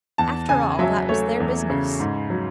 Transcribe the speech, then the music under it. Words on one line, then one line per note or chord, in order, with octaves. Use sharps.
After all, that was their business.
E2 A5
C#3 G#5
F#3 E5
A3 C#5
E2
C#3
G#2
F#3